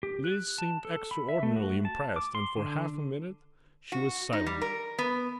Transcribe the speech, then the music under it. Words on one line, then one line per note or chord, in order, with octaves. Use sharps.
Lise seemed extraordinarily impressed and for half a minute she was silent.
G4
F#6
A5
A4
B5
E5
A3
F#4
A5
D6
C6
D3
F#4
D#4
G3
A#4
B3